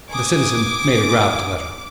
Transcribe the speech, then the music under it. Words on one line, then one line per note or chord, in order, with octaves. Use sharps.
The citizen made a grab at the letter.
G#5 D6 D#6